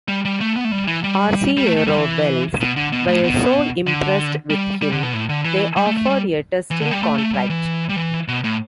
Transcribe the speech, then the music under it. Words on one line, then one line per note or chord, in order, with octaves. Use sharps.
Arciero-Wells were so impressed with him, they offered a testing contract.
G3
G3
A3
B3
A3
G3
E3
G3
G3
A3
A3
G3
E3
B2
D3
B2
A2
B2
D3
G3
G3
D3
B2
A2
D3
E3
G3
A3
A3
G3
E3
D3
G3
A3
A3
G3
E3
G3
E3
B2
A2